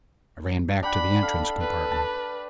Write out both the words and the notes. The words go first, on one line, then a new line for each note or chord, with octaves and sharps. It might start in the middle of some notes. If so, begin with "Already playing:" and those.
I ran back to the entrance compartment.
D4 F#5 G5 B5
A4 F5
B4
A5